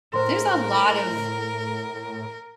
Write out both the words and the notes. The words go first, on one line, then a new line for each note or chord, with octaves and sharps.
There's a lot of
A2 A#4 C5 C6